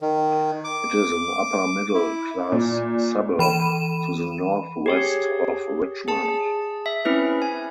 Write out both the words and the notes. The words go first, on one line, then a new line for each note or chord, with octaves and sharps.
It is an upper middle class suburb to the Northwest of Richmond.
D#3
D6
E4
A#2
E3 B5 D#7 E7
G4 G#4 C#5
G#4 A5
E5
C4 C#4 E4 B4
G#5